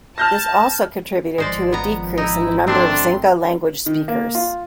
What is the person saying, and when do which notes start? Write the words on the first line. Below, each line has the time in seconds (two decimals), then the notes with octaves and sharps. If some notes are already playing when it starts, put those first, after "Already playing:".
This also contributed to a decrease in the number of Xinca-language speakers.
0.18 A5 F6 G6 A#6
1.38 G#1 F3 G#3 C5 D5
1.72 B3 A#5
2.18 D#4 E4
2.67 A3 C4 D4 C6
3.86 D#3
4.08 A#3
4.35 F4